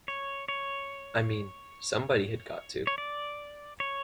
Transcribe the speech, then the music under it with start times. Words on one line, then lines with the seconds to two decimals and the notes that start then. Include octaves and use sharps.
I mean, somebody had got to.
0.08 C#5
0.48 C#5
2.87 C#5
2.98 D5
3.80 C#5